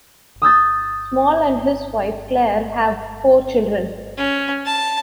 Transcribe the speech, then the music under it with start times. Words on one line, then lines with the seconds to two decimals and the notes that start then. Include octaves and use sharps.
Small and his wife Clare have four children.
0.42 D#6 E6 G6 A6
4.18 C#4
4.66 A5